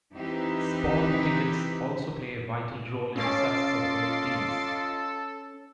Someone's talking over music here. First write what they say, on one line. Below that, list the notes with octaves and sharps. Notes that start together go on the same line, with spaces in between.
Spawn tickets also play a vital role in the success of both teams.
E3 C4 D#4 E4 G4 B4
C#4 F4 A4 D#5 D6 A6 C7